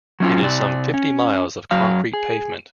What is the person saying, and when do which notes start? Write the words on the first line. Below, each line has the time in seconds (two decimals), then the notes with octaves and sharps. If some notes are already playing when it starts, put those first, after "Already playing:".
It is some fifty miles of concrete pavement.
0.20 F#3 C#4 F4
0.42 C3 D5
0.94 C#4
1.71 F#2 F#3 F5
2.14 G#4